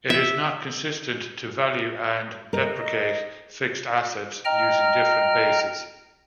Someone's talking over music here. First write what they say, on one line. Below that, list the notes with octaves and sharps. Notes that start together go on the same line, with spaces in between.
It is not consistent to value and depreciate fixed assets using different bases.
E5
A#4 D#5
D#5 G5 A#5 F6